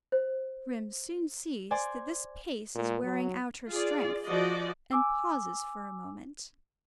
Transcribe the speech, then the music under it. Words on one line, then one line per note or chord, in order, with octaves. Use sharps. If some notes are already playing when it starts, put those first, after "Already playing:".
Grim soon sees that this pace is wearing out her strength, and pauses for a moment.
C5
C5 D5 G#5
A#2
F#3
F4 G#4 D5
F3 F#4 D5 D#5
G#5 D6 E6